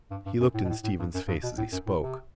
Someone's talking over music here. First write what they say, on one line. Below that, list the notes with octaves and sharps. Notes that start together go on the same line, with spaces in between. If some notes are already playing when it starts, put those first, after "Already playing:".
He looked in Stephen's face as he spoke.
G2
G2
F#2
A2
B2
A2
A2
G2
F#2
G2
B2
A2
F#2
A2
C3